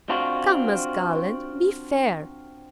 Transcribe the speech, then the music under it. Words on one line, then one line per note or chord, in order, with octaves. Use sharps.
Come, Miss Garland, be fair.
C4 D4 F4 F#4